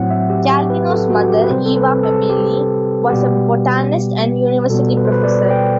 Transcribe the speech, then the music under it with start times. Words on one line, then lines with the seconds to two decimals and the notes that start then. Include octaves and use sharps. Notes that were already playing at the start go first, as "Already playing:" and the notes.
Calvino's mother, Eva Mameli, was a botanist and university professor.
Already playing: A2 F#3 C4 F#5
0.10 E5
0.30 G4
0.50 G4
0.70 B4
0.90 A4
1.10 F#4
1.30 G4
1.44 B4
1.50 C3 G3 C4 C5
1.66 A4
1.76 B4
2.03 A4
2.30 G4
3.10 B2 G3 B3 G4
4.70 B2 G3 B3 A4
4.97 B4
5.05 C5
5.12 B4
5.24 D5
5.50 G5